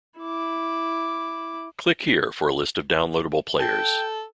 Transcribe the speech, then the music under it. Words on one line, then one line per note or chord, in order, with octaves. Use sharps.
Click here for a list of downloadable players.
E4 D6
A4 G5